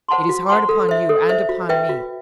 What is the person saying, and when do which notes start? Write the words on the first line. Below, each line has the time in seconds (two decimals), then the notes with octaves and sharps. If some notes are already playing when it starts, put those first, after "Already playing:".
It is hard upon you,--and upon me.
0.09 C5 F#5 A5 C6
0.29 F#4
0.49 C5 F#5 A5 C6
0.69 A4
0.89 C5 E5
1.09 A4
1.29 C5 E5
1.49 F#4
1.69 B4 E5 G5
1.89 F#4